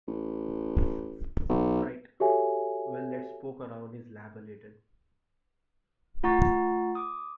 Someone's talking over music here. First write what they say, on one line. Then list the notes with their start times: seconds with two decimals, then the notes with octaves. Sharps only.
Right, well let's poke around his lab a little.
0.08 A1
1.49 B1
2.20 F#4 G4 A4 C#5 E5 G#5
6.23 A3 F4 F#5 A#5 C#6 A6
6.95 D6 D#6